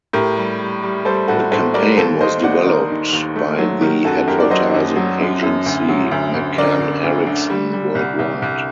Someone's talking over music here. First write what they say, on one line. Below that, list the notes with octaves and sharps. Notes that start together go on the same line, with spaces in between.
The campaign was developed by the advertising agency McCann-Erickson Worldwide.
A2 G4 A#4
G3
G3
G3
G3 A4 C5
A2 F#4 A4
A2 A4 C5
G3 A#4 D5
D#2 A4 C5
D#2 C5 D#5
D#2 D5 F#5
D#3 A#4 D5
D#3
D#2
A3
F#3
D#3 G4 A#4
F#2 F#4 A4
F#2 G4 A#4
D5
F#3 C5 D#5
F#2
F#3
F#2
F#2
D2
F#3
D2
D2
D3 A#4 D5
D3
D2
D3
G3
G3
C2
C2
C2